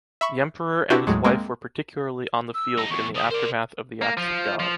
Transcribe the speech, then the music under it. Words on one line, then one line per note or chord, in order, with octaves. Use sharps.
The emperor and his wife were particularly on the field in the aftermath of the acts of god.
E5 B5 C#6
C4 D4 E4 F#4 G4 B4
D#2 A2 F#3 G#3
G#3 A#3 C4 A#4
E6
G2 D#4
E2 C#6
D3 G3 D#6
A#4 C5 D5
A#3
F3
F3